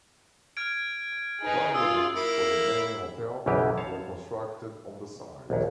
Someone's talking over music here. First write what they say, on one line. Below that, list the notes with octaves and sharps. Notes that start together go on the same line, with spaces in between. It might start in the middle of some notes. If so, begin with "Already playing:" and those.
Bungalows for the main hotel were constructed on the site.
F6 G#6 D7
D#4 G#4 B4
F4 D#6 E6
A#3 E4
B1 F#2 C#3 E3 G4
C#5 F5 A5
A#1 D#2